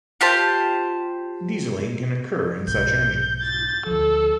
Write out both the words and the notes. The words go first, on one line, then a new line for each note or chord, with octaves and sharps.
Dieseling can occur in such engines.
F4 G4 C5 A5
B1 G#2 G6
A6
D2 F3 A4